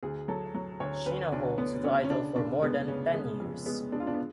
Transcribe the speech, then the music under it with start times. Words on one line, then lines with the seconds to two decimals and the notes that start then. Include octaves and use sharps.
She now holds the title for more than ten years.
0.03 D2 G#4
0.28 F#3 A4
0.54 F#3
0.80 D2 C#5
1.06 D2 B4
1.32 D2 D4
1.58 D3 B3
1.84 D2 C#4
2.05 C#4
2.10 C#3 D4
2.36 F1 D4
2.62 G#3 B3
2.88 C#3 C#4
3.14 G#3
3.40 F2
3.66 G#3 B3
3.92 G#3 D4
4.00 F4
4.07 D4
4.14 B3